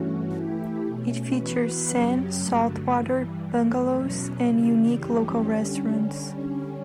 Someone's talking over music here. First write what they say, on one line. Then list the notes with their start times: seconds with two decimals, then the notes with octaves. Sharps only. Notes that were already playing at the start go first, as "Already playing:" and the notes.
It features sand, saltwater, bungalows, and unique local restaurants.
Already playing: G2 E3 A3 C#4 F#4
0.34 E3 A3 E4 G4
0.86 B2 A3 C#4
1.37 E3 B3 F#4 B4
1.88 F#2 C#3 F#3 C#4 G4
2.40 G2 D3 F#3 A3
2.90 G2 E3 G3
3.43 G2 E3 A3
3.94 E2 B2 F#3 C#4
4.44 C#3 E3 G3
4.96 F#2 E3 G3 C#4 G4
5.48 D3 G3 C#4